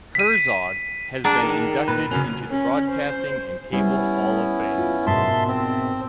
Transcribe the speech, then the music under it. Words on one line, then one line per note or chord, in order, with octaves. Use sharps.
Herzog has been inducted into the Broadcasting and Cable Hall of Fame.
B6 D#7
D4 G#4 F#5 A#5
D#3
A#2 B4
F#2 C#3 C#4
C#4
C5
G3 B3 C#4 E4
F4
G#2 B2 A#4 E5 A5 C6
C4